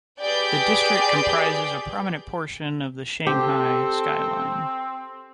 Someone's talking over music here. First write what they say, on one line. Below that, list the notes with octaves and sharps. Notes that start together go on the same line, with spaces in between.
The district comprises a prominent portion of the Shanghai skyline.
G4 G#4 B4 D5 G5 G6
C4 G4 A4